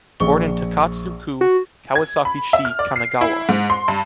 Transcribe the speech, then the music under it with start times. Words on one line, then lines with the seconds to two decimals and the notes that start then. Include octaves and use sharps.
Born in Takatsu-ku, Kawasaki-shi, Kanagawa.
0.20 A#1 C#6 G7
1.41 F#4
1.95 G#6
2.25 B5
2.53 E5
2.65 F6
2.79 D5
2.96 C7
3.21 E4
3.49 G#2
3.70 C6
3.88 G2